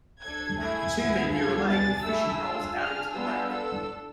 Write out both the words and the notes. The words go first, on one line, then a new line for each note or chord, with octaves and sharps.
Two men near a lake with fishing poles out into the lake.
D4 A4 G#6
A3 E4 G#4 G#6
B3 E4 G#4
B3 F4 A4 G#6
D4 G#4 A6
A3 E4 G#4 E6
D4 F4 G#4
D4 G#4 F6
B3 D4 F4 G#4 E6
D4 A4 E6